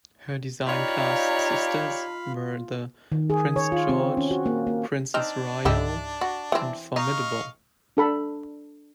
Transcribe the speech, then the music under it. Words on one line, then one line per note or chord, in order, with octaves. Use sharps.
Her design class sisters were the "Prince George", "Princess Royal", and "Formidable".
D#4 F4 G4 C#5 D5 F5 B5
D#3
G#4
C#5
F4
C4
C#4
F#4
A#3
A#3
C4 D4 D#4 F6
C#2 G#2 D#4 E4 G4
F#4 A5
E3 C4 E5
D#4 D#5 F5 C#6
D4 A4 B5